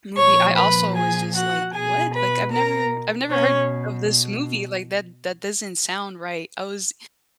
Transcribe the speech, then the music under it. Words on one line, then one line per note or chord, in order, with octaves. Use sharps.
movie, I also was just like "What?" Like I've never I've never heard of this movie, like, that that doesn't sound right, I was
A#2 F3 C#5 C#6
B4 B5
G#4 G#5
F#4 F#5
B2 G#4 G#5
B4 B5
A#4 A#5
B2 C#4 C#5